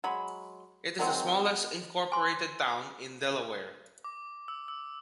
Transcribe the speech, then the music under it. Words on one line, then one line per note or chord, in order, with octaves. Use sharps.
It is the smallest incorporated town in Delaware.
F#3 G#3 B5
D#3 F#3 G#3 C4
B2
G#5 C6
D6
E6
E6